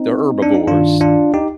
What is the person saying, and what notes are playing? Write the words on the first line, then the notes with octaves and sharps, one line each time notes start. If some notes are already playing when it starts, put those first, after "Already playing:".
they're herbivores,
Already playing: C4 D#4
D4
D#4
G2 D#3 D4 F4
D4 F4
D#4 G4